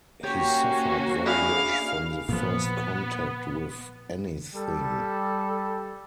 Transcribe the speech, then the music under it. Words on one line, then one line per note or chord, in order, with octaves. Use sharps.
He suffered very much from the first contact with anything.
A#3 C#4 F#4 G4 C#5
D4 E4 G#4 F5
A#2 F3 B3
G3 A4